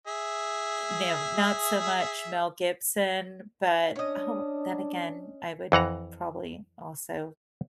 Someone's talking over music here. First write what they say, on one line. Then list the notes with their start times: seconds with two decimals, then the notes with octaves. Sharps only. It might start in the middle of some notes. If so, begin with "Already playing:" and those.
Eh, no, not so much Mel Gibson, but, oh, then again, I would probably also
0.07 G#4 E5
3.96 C#4 D4 D#5
5.72 F2 E3 F#5 A#5